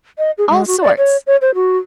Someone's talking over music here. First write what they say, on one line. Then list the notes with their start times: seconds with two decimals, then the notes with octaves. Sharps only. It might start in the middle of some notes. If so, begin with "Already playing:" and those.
All sorts.
0.18 D#5
0.38 G#4
0.49 G#3
0.67 F#4
0.82 D5
0.98 C#5
1.27 C#5
1.41 C5
1.55 F#4